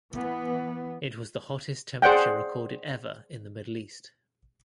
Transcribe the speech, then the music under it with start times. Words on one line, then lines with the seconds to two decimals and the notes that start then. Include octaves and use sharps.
It was the hottest temperature recorded ever in the Middle East.
0.11 E3 B3
2.02 G#4 C5 D5 F#5 G5